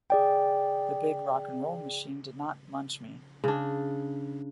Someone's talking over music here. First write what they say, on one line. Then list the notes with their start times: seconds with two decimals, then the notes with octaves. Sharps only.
The big rock 'n' roll machine did not munch me.
0.10 G#4 D5 G5
3.44 C#3 D4